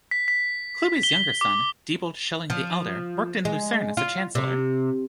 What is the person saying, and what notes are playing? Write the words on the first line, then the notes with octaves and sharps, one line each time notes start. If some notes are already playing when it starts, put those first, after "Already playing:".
Klewi's younger son, Diebold Schilling the Elder worked in Lucerne as a chancellor.
B6
B6
G7
D6
F3
G#3
F4
C3